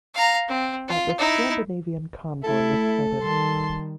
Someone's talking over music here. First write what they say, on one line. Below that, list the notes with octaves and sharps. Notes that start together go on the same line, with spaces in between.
At the Scandinavian convoy was sighted.
F5 A#5
C4
F4
D#4 E4
A3 E4 A4
D#3 G3 A5 C6